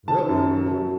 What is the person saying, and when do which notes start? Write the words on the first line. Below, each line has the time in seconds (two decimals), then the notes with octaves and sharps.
Really, wow.
0.08 D#3 A5
0.29 F#2
0.50 F#3
0.71 F#3